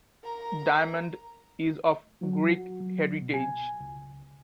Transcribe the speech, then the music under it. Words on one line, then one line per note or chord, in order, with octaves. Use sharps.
Diamond is of Greek heritage.
A#4 A#5
F#3
F#4
F#3
B2
G#5
C#2